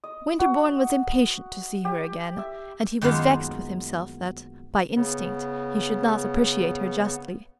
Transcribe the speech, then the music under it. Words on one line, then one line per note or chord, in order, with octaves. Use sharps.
Winterbourne was impatient to see her again, and he was vexed with himself that, by instinct, he should not appreciate her justly.
D#5
F#4
G4
E5
F#2 D#3 G#3 A#3 B3 F4
C#3 B3